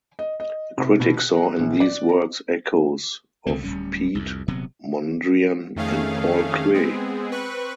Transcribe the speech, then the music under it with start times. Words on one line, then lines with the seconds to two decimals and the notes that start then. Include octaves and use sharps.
A critic saw in these works echoes of Piet Mondrian and Paul Klee.
0.19 D#5
0.40 D#5
0.78 C3
1.00 B2
1.18 F#6
1.37 A#5
1.59 A#1
1.80 D5
2.09 A#5
3.47 C2 D3 A3 C4
3.64 D1 G3 C#4
4.15 C2 F2
4.48 D#1 C3 F#3 B3
5.76 F2 D#3 A3 C#4 G#4 F5
6.74 G#3 B3 C4 G#4
7.31 C4 B4 C#6 F#6